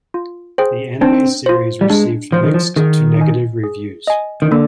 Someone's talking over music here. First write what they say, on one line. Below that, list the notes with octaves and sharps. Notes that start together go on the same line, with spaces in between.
The anime series received mixed to negative reviews.
F4
G#4 C5 G5
C4 D4
F4 C5
G3
G#3 D4
F3 F4 C5
D#3
F3
D#3 G#4
D#5 G#5
G#4
D#5 G#5
D#3
D3 A#3